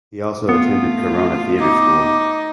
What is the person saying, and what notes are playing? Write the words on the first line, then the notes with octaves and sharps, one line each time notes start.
He also attended Corona Theatre School.
A3 B3 F4
D#4 D6